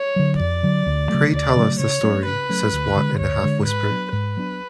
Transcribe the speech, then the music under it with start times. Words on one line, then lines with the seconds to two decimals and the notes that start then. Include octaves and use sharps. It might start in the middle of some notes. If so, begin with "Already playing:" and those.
"Pray tell us the story," says Watt in a half whisper.
Already playing: C#5
0.16 D3 F#3
0.40 F2 D5
0.63 D3 F#3
0.86 D2
1.09 C#3 F#3 A3
1.32 D2 D5
1.56 C#3 F#3 A3
1.79 C#3 C#5
2.03 F#3 A3 C#4
2.26 C#3 B4
2.49 F#3 A3 C#4
2.73 D2
2.96 D3 G#3
3.19 D2 C#5
3.44 D3 G#3
3.66 G#2 B4
3.89 F#3 B3 D4
4.12 G#2 B4
4.37 F#3 B3 D4